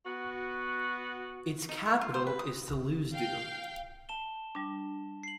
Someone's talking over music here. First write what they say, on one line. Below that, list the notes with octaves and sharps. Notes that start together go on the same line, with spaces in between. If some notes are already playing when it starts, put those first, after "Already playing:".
Its capital is Thulusdhoo.
B3 F#4
D#4
A#4
F4
C5
B4
D#6
F5 G5
A5 E7 G7
G3 D4
C7 F#7